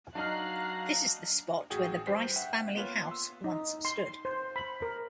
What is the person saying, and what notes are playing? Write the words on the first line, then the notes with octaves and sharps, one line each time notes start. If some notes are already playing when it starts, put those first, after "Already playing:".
This is the spot where the Brice family house once stood.
F#3 D4 D#4 F5 A#5 F6 F#6 C7
A1 F#4 G#4 G5
G2 C5 B6 C7
E5 F#5 G5
A#3 B3 F4 B4 C#5 F5
C6 E6
D#4
C6
C5
B5
A#4